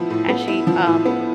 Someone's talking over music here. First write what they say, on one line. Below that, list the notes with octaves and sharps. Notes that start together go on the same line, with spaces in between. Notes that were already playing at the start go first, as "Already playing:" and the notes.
and she, um,
Already playing: A2 F3 B3 E4
A2
B3
E4
F3
A2
B3